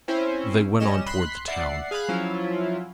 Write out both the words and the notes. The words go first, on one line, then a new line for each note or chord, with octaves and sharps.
They went on toward the town.
C4 C#4 E4 C5
G3 C#4 D#5 E7
B5 C6 F#6 B6 C7
D5 E5 F#5 C7
G#4 F5 G#5 B5 F#6
F3 F#3 C#4 E4 F4